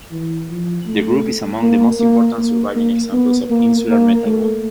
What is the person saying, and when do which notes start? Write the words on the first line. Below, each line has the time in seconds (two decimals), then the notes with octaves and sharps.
The group is among the most important surviving examples of Insular metalwork.
0.11 E3
0.50 F3
0.87 A3
1.62 A#3
2.00 A#3
2.38 A#3
2.76 A#3
3.13 B3
3.50 A#3
3.88 A#3
4.26 A3